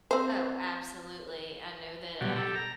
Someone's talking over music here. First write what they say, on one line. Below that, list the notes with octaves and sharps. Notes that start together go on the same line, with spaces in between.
Oh, absolutely. I know that, uh,
C4 C5
B2 F#3 G3
G4 A4
A#5